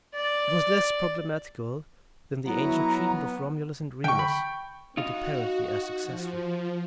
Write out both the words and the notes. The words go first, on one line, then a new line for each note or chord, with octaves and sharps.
It was less problematical than the ancient treatment of Romulus and Remus, and apparently as successful.
D5
F#3 B3 E4 A#5
D3 G5 C#6
B5
D#4 F#4 F5
F3